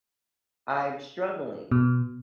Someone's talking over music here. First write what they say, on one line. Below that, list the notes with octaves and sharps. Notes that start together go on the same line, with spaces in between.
I'm struggling."
B2